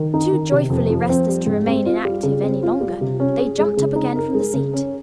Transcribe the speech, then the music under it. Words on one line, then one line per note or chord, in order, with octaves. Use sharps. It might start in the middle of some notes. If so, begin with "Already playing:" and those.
Too joyfully restless to remain inactive any longer, they jumped up again from the seat.
Already playing: D#3
D#4
D#3
C3
F2
F3
C4
G3
G#2
C4
F4
G3
C#3
C4
F4
G3
C3
C#4
G#4
G#3
C#3
D#4
A#4
G#3
C#3
C#4